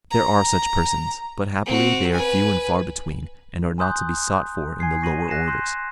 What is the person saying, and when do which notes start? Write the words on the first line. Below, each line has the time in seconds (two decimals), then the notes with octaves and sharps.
There are such persons, but happily they are few and far between, and are not to be sought for in the lower orders.
0.11 A#5
1.66 C4 F#4
2.13 B4 G#5
3.78 G#5 A#5 C6 D#6 F#6 G6
4.80 G#5 G#6 C7
5.03 C#6 A#6 D#7 F#7
5.28 F#6 A#6 C7 C#7 E7
5.48 C6 F#6 G6